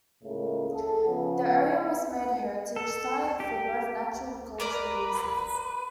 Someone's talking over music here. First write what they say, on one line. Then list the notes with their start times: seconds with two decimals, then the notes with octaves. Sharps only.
The area was made a heritage site for both natural and cultural reasons.
0.24 C#2 A2 C#3 A3 A#3
0.74 G#4 A4
1.05 C#3 F3 B3
2.76 A4
3.40 G4
4.60 A#4 B4 D5 A#5